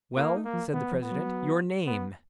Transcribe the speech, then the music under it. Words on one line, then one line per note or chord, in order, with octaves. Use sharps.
"Well," said the president; "your name?"
A#3 F4
D#4
A#3
F3
D#3 B3
F3
B3
F#3
B3